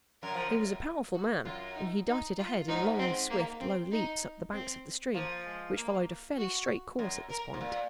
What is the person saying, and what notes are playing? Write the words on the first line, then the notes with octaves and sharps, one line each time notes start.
He was a powerful man, and he darted ahead in long, swift, low leaps up the banks of the stream, which followed a fairly straight course at this point.
F#2 A#4
F3
F#2
F#4
F#2 F4
D#4
D#4
F4
G#2 D#4
C4
A#3
C4
D#4
C4
F3 A#3
G#3
A#3
F#4
F#2
A#4
G#2
A#2